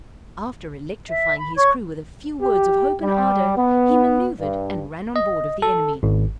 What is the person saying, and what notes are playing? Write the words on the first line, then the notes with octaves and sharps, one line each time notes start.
After electrifying his crew with a few words of hope and ardor, he manoeuvred and ran on board of the enemy.
E5
B5
C#5 C#6 G#6
G4
G3
B3
G2
D#5
A4
G#1